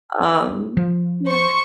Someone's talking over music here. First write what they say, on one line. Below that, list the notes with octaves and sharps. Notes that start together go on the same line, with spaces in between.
um, yeah.
F3
C5 C#6